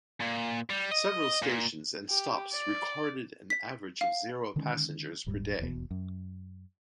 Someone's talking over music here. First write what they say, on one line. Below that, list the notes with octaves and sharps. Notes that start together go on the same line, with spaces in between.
Several stations and stops recorded an average of zero passengers per day.
A#2
G3
D#5
A#2
G4
D5
B6
F5
D3 D#3 G#3 C#4
D#1 G#2 G3
D#1 A#1 E2 B2
F#2